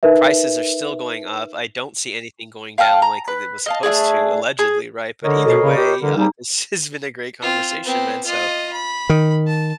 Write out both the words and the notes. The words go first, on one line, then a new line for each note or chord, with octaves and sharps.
prices are still going up. I don't see anything going down like it was supposed to, allegedly, right? But either way, uh, this has been a great conversation, man. So,
D#4 A#4 B4 E5
F5 G5 A5 F6
A#5
B4
D#5 F5 A5
A3 A#3 D4 G#4
G#4
D3 A#4 C#5 D#5
B2 A4 C5 C7
C#3 B5
G4
D3 E3 G3 A#4
G3 A#3 C4 D#4 G#4 A#5
C4 F4
B3 C4
F4 D#5
B5
D#3
A5